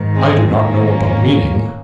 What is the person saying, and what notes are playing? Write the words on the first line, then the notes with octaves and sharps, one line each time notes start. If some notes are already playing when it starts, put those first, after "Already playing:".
'I do not know about meaning.
Already playing: G#2 D#3
G#3 C4
G#2 D#3 A#3 C#4